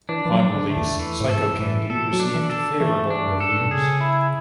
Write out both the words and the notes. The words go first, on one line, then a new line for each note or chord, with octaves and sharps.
On release "Psychocandy" received favourable reviews.
E3 D4
E3
F#3
D4
D3
A3
E2
E3
A2
G#2 A4
A2 E3
B2 A4
F#3
D4
E3
A4
E3 A3
D4
F#2
G#2 A4
A2
B2
C#3 G#4
E4